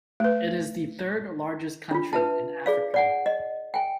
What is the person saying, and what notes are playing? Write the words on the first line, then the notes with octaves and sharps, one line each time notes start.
It is the third largest country in Africa.
A3 B4
D4 F4
D4 B4 E5 A5
G#4 D5 F5
D5 F#5 G#5
D#5
G5 G#5